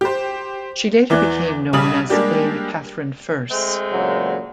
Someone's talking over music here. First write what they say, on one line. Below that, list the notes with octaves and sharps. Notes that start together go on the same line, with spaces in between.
She later became known as Dame Katharine Furse.
G4 C5
E2 E3 D5 F#6
B1 C#3 G3 D#6 F#7
G3 G#3 A#3 D4 G4 D5
G#3 A3 C4
A#2 C#3 F#3